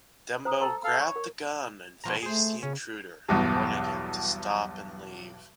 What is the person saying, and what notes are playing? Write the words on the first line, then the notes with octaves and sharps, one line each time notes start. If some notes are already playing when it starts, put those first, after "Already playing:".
Dembo grabbed a gun and faced the intruder, warning him to stop and leave.
C5 A#5 D#6
A4 A#5
A4 F5
C#5
A#4
B2 F3 A#5
A3 G#4 C5
C#3 C#4
B1 E2 G2